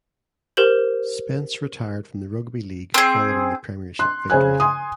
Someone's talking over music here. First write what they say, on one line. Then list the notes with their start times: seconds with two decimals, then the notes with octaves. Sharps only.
Spence retired from rugby league following the premiership victory.
0.57 G4 A#4 C5 G6 F#7
2.94 C4 G#4
3.99 C6 F#6
4.30 C#3 G#4 C5 G#5 F#6
4.60 G#5 C6 D#6